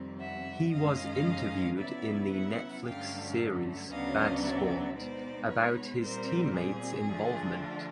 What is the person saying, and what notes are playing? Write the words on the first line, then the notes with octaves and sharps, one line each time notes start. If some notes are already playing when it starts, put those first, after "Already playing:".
He was interviewed in the Netflix series "Bad Sport" about his teammates involvement.
Already playing: F2 C3 D#3 G3 C4
E5 F#5
F#2 D#3 G#3 C#4 D#5 F5
C#3 F#3 B3 E4 D5 E5
E5 F#5
G2 D3 F#3 A3 C#4 F5 G5
D2 C#3 F#3 B3 D4 D#5 F5
D5 E5
B2 G#3 B3 D#4 C5 D5
B4 C#5
A#2 G3 C4 A#4 C5
G#4
D3 F3 A3 D4 F4
G#4